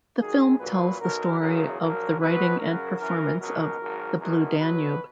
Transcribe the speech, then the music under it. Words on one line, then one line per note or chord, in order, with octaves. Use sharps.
The film tells the story of the writing and performance of "The Blue Danube".
D#2 D#3 F#3 G#4
A#1 A#2 F#3 B4
B1 B2 F#3 A#4
E2 C#3 F#3 A#4
A#1 A#2 F#3 A#4
B1 B2 F#3 B4
F#2 C#3 F#3 A#4
F#2 E3 A#4
C#2 B2 F#3 A#4
G#1 G#2 F#3
E2 B2 F#3 A#4
B1 B2 F#3 B4